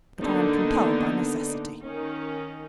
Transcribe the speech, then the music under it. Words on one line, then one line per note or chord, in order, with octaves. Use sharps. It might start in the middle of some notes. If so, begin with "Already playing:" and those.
But I am compelled by necessity.
D3 A#3 B3 D4 D#4
D#3 C#4 D#4